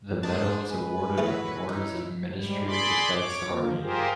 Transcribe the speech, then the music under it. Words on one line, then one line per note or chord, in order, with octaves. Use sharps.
The medal is awarded on the orders of Ministry of Defense of Armenia.
G#3 D4 C5 A5 D#6
B4 G#5
E3 A3 E4 F#4 G#4 C#5
D#4 E4 C#5 E6
G#2 G3
G#4 D5 B5 C6 D6
C#5 D6
D3 D#3 F3 A#3
F4 G4 G#4 A#4 C5